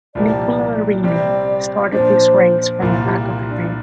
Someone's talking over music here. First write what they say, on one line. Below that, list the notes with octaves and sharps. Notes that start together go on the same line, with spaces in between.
Nicola Larini started this race from the back of the grid.
C2 A#2 F3 A#3 G4 D5
C3 G3 C4 G4 D5
A#2 F3 D4 C5
C2 A#2 A#3 F4
G4
F4
D4